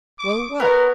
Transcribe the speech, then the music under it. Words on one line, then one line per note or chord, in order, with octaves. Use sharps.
"Well, what?"
D6
B3 A#4 C#5